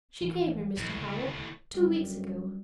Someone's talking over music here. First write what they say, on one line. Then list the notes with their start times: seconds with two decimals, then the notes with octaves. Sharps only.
She came here, Mr. Howell, two weeks ago.
0.21 A1 E3 F3
0.77 A#1 D#2 A2
0.97 C#2 D3
1.74 G1 F#2 G3